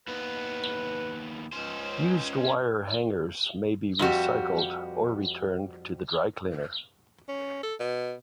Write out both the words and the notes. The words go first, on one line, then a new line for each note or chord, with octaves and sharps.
Used wire hangers may be recycled, or returned to the dry cleaner.
D#2 B3 B4
C#2 C#4 C5
F2 G3 F#4 G4
C#4
A4
B2